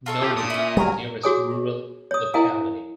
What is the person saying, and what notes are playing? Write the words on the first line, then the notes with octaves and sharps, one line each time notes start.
Novy is the nearest rural locality.
F4 A4 C#5
F3 G4
A#2 D#6
C#4 E4
F#3 G3 A#4 G#5
F#4 G#4 C#5 G#5 D#6
C#5 D#6
E4 A#4 D#5 F5 G#5 D#6